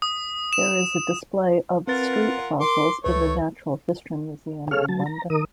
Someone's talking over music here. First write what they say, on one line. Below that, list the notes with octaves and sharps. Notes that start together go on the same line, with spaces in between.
There is a display of Street fossils in the Natural History Museum in London.
D#6
E7
C4 F4 A#4 B4 F#5 A6
A#4 C6 D6
C#2 A3 B4 C#5
G#4 A4 C#5 F5 F6
F#3 A5
A#5
D#3 A#4 D#6